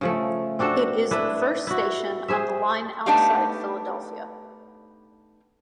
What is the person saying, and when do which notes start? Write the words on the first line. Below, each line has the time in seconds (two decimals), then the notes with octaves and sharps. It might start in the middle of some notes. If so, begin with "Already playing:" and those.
It is the first station on the line outside Philadelphia.
0.01 C#3 F3 A3
0.59 C4 D4 F#4 A4
1.11 D4 E4 B4
1.67 E4 F#4
2.28 G#4 C5 E5
3.06 A3 B3 D4 D#4 G4 F5